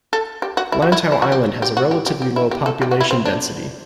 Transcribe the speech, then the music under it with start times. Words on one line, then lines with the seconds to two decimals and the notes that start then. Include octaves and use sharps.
Lantau Island has a relatively low population density.
0.13 A4
0.42 G4
0.57 F#4
0.72 E4
0.82 F#4
0.92 E4
1.12 E4
1.22 F#4
1.32 G4
1.62 G4
1.77 F#4
1.91 G4
2.06 G4
2.22 G4
2.36 E4
2.51 G4
2.66 A4
2.82 G4
2.91 F#4
3.01 E4
3.11 C4
3.25 D4